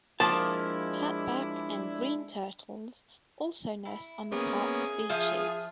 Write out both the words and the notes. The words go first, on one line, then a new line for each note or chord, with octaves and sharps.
Flatback and green turtles also nest on the park's beaches.
F3 G#3 A#3 D4 E4 A5
E4
A#3 B3 C#4 G#4
F3 F4 E5